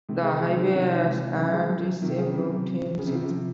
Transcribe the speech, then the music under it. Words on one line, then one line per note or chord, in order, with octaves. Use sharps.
The highway has had the same routing since.
C3 D#3 G#3
G#4
G#4
D#4
C#3
C3 D#3 D#4
D#4
G#3
G#3
C#3 F#3
G#4
F#3
F#3
C3 D#3 F#3
G#4
C#3
C3 F#3
F#3
C4
F3
C#3 G#4
C3
C#3 F4
C3
F3